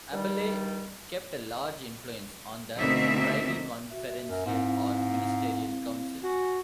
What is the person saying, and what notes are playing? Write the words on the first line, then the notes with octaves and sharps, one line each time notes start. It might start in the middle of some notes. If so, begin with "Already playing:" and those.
Abele kept a large influence on the Privy Conferencial or Ministerial Council.
G2 D#3 G3
D2 B2 A#3 C4 D#4 E5
F#4 E5
F#2
G#2 C4 E4 F5
F#4 G#5